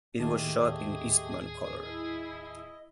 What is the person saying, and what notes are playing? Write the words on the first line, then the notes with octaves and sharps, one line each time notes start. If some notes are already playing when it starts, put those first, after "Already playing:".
It was shot in Eastmancolor.
D#2 A2 A3 G4 G#4 D#5 A5
E4 D#5